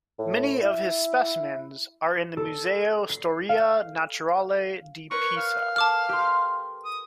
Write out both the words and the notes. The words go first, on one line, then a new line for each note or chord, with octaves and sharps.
Many of his specimens are in the Museo storia naturale di Pisa.
A2
E4
A4
C7
F5
A#4 B4 C#5 C#6
F5
A4 A5 D6 F6
G4 C6
D#6